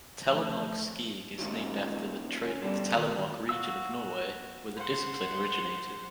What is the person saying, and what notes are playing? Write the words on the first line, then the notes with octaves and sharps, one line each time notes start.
Telemark skiing is named after the Telemark region of Norway, where the discipline originated.
F3 A3
A#2 D#3 F#3 G#3
C#4
B2 D3 G3
D#3
F#4 F5 E6
C5 F#5